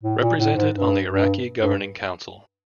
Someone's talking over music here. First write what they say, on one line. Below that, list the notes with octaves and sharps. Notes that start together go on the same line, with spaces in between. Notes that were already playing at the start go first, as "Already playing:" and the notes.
Represented on the Iraqi Governing Council.
A2
A#2
A2
G#2
G2
G2
G2